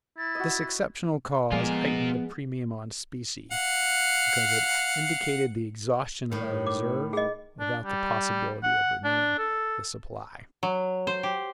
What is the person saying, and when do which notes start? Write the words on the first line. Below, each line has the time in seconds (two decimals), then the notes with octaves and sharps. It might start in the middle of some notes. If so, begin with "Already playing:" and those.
This exceptional cause heightened the premium on specie, because it indicated the exhaustion of our reserve, without the possibility of renewing the supply.
0.18 E4 A6
0.35 F#4 D#5
1.52 F3 G#3 B3 F4 A#4 G#5
3.52 F5 F#5
6.32 A2 D#3
6.67 D6
7.13 G#4 D#5
7.60 D4
7.84 G3
8.63 F#5
9.04 D4
9.38 A4
10.63 F#3
11.07 C5
11.23 G4